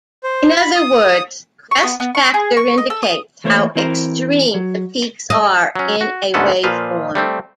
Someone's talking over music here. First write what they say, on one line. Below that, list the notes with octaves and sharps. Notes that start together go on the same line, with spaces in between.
In other words, crest factor indicates how extreme the peaks are in a waveform.
C5
B5
D#6
C#6
B3
B3
C#6
G#4
C#6
D#5
A4
D#6
E3 A3 A#3 C5 C#5
E3 C4 A#4 C5
F#3
D#5
F#3 C#4
F#4
D2 G#2 B3 C#4 A4 F#5
A#2 F3 B4 F5
G3 A3 C4